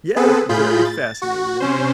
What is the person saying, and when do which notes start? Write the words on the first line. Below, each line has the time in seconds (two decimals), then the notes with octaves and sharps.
Yeah, very fascinating. Thank you.
0.16 B3 C4 G#4 A4 B4
0.49 A2 F4 G#4 B5 G6
0.85 A6
1.22 F#4
1.60 C3 C#4 C5